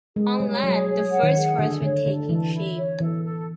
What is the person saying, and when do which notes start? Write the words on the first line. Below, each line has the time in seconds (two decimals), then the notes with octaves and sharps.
On land, the first forests were taking shape.
0.16 G#3 G#4
0.39 G3 C#5
0.63 F#3 G#4
0.87 C#5
1.11 F#5
1.23 D#3
1.34 G#4
1.58 D3 A4
1.82 D3 C#5
2.06 D3 A4
2.29 E3 A4
2.53 E4
2.77 C#5
3.00 E3 A4
3.24 A4